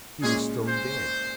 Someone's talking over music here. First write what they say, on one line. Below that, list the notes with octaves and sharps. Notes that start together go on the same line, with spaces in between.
He was stone dead.
A#2 G#3 C#4 G#4
C5